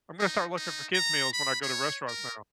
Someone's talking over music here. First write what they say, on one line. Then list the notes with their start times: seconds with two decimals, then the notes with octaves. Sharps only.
I'm gonna start looking for kids meals when I go to restaurants now.
0.19 D#4
0.57 D#4
0.94 A#5
1.33 B5
1.62 C#5
2.08 A#4